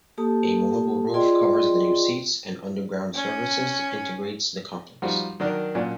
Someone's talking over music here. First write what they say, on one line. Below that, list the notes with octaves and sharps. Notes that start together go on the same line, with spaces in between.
A movable roof covers the new seats and underground services integrates the complex.
A#3 G4 A4 A5 D#6
F4 G#4 D5 D#5 G5 C6
C#4
F3 G3 D#4 F#4
D#3 F#3 D4 A#4
A#2 F#3 C#4 D4